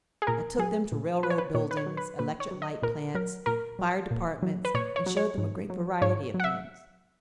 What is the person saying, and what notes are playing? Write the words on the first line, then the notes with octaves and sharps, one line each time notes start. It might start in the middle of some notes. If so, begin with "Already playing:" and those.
I took them to railroad buildings, electric-light plants, fire departments, and showed them a great variety of things.
G#4
A#2 A#4
F#3 G#4
A#2
F#3 B4
C#5
B4
A#2 C#5
B4
C#5
F#3
B4
A#2 B4
C#5
F#3
D#5
A#2 A#4
F#3 A#4
A#2 A#4
F#3
A#2
F#3
B4
A#2 C#5
C#5
F#3
C#5
G#2
F#3
G#2 C#5
F#3
F#5
E5